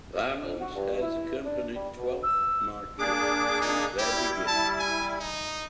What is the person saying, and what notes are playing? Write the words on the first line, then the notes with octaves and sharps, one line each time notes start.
Violence has accompanied Twelfth marches since their beginning.
F2
F#4
G2
E4
D4
G3
B2
E6
A#3 D4 G#4 D6
D#4
G3 E4 G4
A5
G#5
D#4